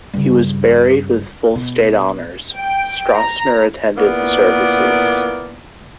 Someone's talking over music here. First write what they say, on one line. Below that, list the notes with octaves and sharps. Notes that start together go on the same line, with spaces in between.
He was buried with full state honours; Stroessner attended the services.
G2 C#3
B2
G5
A#5
A#2 A#3 B3 E4 D5